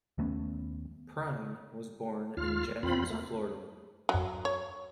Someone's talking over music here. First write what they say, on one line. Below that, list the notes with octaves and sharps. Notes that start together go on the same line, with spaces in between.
Prine was born in Jennings, Florida.
D#2 A3 B3 C#4
D#2 F4 F6
E2 C4 F4 B5
A3 A#3
F#3
C#5